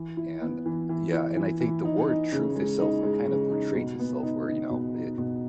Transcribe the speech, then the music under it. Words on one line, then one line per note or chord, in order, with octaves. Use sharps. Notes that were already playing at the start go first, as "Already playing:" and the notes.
And, eh, eh, yeah, and I think the word "truth" itself, uh, kind of portrays itself where, you know, i d
Already playing: E3
E4
B3
E3
E3
E4
E3
E3
D#4
D#4
C#3
G#3
D#4
G#3
C#3
D#4
B2
B3
D#4
D#4
B2
D#4
B2